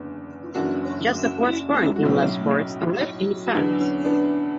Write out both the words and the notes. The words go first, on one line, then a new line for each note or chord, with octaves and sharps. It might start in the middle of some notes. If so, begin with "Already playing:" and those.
Josep was born in Les Corts and lived in Sants.
Already playing: F#1 E2 D3
F#1 F#2 E3 D4 F#4
F#4
B1 A2 F#3 C#4 E4
E2 D3 F#3 B3 D4
C#4
B3 D4